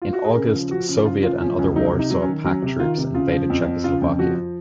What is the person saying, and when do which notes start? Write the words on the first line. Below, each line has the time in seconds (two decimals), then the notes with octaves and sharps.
In August, Soviet and other Warsaw Pact troops invaded Czechoslovakia.
0.02 F4
0.13 F#4
0.24 G#4
0.36 C#3 A#4
0.54 F3
0.71 F3 F#4
0.88 C#3
1.05 F3 F4
1.23 C#3 F4
1.41 F3 C#4
1.58 C#2 C#4
1.75 F#3 D#4
1.93 C3
1.99 D#4
2.10 F#3
2.22 C#4
2.28 D#3
2.45 F#3 C#4
2.62 C3
2.79 D#3 F4
2.97 C3
3.14 C#3 F4
3.32 F3
3.50 F2
3.66 F3
3.84 C#3 F4
4.02 F2
4.19 F3 F#4